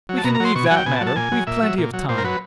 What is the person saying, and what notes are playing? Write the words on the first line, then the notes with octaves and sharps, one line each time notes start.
We can leave that matter--we've plenty of time.
F#3
A5
B2 A#5
A#5
F#3 C6
B2 C#6
G#5
F#3 F#5
G5
B2 G#5
A5
F#3
A5
A#2 G#5
F#3
A#2 E5
F#3
A#2
F#3
A#2 C5
A#4
F#3 B4